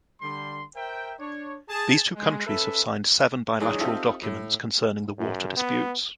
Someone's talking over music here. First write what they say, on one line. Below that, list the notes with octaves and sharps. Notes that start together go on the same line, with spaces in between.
These two countries have signed seven bilateral documents concerning the water disputes.
D3 G3 C6
A#4 C5 E5 G5
D4 C#5
G#4 A5
G#3
C#4 A4 B4 E5
E3 F#3 G#3 D4 D#4 G#4
C4 D#4 F4 G4 A4 E5
A2
F#2
B3